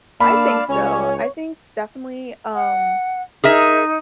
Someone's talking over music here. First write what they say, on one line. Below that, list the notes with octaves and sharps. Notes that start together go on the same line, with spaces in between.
I think so. I think definitely, um,
A#3 D4 D5 F5 B5 E6
C#2 C#4 C#5
F#5
D#4 G#4 A#4 E5